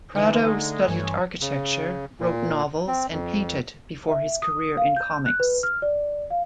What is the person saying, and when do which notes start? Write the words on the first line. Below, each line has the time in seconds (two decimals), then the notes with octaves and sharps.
Prado studied architecture, wrote novels and painted before his career in comics.
0.15 D3 E3 G#3 D#4
0.51 A3
0.88 G2 E3 C#5 G#5
1.41 C#3
2.20 A#2
2.87 C4
3.12 F2
4.09 E5
4.42 D#6
4.77 F5
4.96 G6
5.26 F#6
5.40 B4
5.63 F6
5.82 D5
6.31 F5